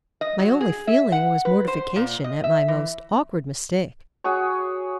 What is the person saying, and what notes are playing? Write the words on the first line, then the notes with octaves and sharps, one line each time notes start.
My only feeling was mortification at my most awkward mistake.
D#5
F#3
G#4
E5
F#5
B4
C5
A#2
D#5
E5
E3
F#4 G#4 C#5